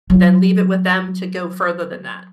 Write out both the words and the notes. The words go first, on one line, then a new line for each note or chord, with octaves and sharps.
then leave it with them to go further than that.
F#3 F4